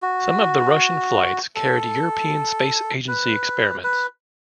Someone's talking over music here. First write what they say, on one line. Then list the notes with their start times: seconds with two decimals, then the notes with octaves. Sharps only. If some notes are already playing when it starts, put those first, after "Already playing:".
Some of the Russian flights carried European Space Agency experiments.
0.02 F#4
1.55 A4
3.08 B4
3.84 B4